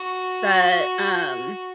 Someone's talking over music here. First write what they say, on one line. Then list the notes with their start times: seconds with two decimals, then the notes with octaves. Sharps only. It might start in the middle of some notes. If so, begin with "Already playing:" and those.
but, um,
Already playing: F#4